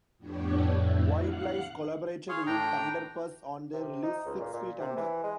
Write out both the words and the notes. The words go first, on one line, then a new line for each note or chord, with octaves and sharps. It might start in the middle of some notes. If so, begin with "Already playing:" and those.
Widelife collaborated with Thunderpuss on their release "Six Feet Under".
F2 A2 B3 D4 G4 C#5
F2 A2 D3 E4
F5 F#5 F#6
G#4 C#5 F5 C6
A2 D4 G5 A#5
C3
D#4
C#2
A#2
A#2
C3
E3
G#3